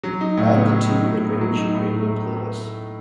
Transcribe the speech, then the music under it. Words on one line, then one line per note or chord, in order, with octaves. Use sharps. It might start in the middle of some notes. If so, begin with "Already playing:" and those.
Add the tune to the Rage Radio playlist.
F#3
D#4
A2
B3
F#3
D#4
A2
B3
F#3
D#4
A2